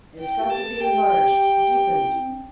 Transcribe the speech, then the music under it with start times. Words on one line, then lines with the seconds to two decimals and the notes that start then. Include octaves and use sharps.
It's got to be enlarged, deepened.
0.19 E4 G5
0.40 G4
0.49 A5
0.59 A4
0.80 G4 G5
2.00 E4
2.15 C4
2.30 D4